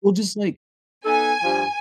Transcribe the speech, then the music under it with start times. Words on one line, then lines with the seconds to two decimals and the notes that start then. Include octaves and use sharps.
Well, just like
1.05 B3 D#4 A4 G#5
1.43 G2 F3